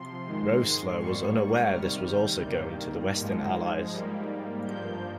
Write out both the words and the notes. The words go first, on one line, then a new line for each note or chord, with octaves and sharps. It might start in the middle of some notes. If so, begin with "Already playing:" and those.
Roessler was unaware this was also going to the Western Allies.
Already playing: C3 F3 C6
G#2 D#3 G#3
G#2 G3 A#3 C#6
C3 D#3 G3 F6
G6
G2 D#3 G3 A#3
G#2 F3 G#3
G#2 G3 A#3
G2 F3 A#3 G6